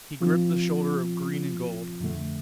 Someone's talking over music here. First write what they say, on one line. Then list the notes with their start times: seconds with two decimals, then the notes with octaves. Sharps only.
He gripped the shoulder of green and gold.
0.21 F3 C4 F4
2.00 F2 D3 A3